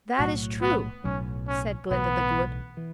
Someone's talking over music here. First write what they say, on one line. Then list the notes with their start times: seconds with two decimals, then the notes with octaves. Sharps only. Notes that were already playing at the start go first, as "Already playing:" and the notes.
"That is true," said Glinda the Good.
0.18 B1 A2 F#3 F#4
0.61 B3
1.04 B1 A2 F#3 C#4
1.48 C#4
1.90 B1 A2 E3 B3
2.77 E3